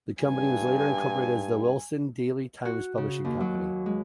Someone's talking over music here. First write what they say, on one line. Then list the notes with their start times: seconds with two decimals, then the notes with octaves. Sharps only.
The company was later incorporated as The Wilson Daily Times Publishing Company.
0.22 G2 G#5
2.65 F#4
2.97 C#3
3.25 D#2
3.40 F#3
3.86 G#3